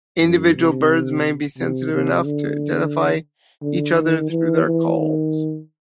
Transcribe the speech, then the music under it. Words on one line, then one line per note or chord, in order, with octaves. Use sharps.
Individual birds may be sensitive enough to identify each other through their calls.
F#2
C3
C3
C3
D3
D3
D#3
E3
E3
D#3